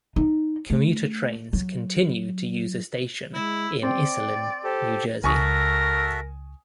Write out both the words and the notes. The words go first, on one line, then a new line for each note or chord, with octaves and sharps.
Commuter trains continued to use a station in Iselin, New Jersey.
D#4
A3
F#3
G#3 E4
C4 D5 G5
G4 A4 C5
C#2 F#4 A4 A#4 E5 G#5 C#6 D#6